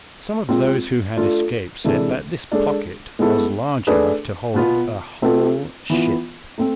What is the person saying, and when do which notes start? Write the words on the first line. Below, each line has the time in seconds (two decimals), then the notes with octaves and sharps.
Some of those who had escaped said that this pocket was large enough to hold a whole ship.
0.49 G#3 C4 F4
1.17 A3 D4 F4 A4
1.84 C3 E3 G#3 D4 A4
2.52 G#3 D4 A4
3.19 G#3 B3 E4 A4
3.87 A3 D4 G#4 B4
4.54 B2 B3 F4
5.22 A3 C4 F4 A4
5.90 E3 B3 F4
6.58 A3 C4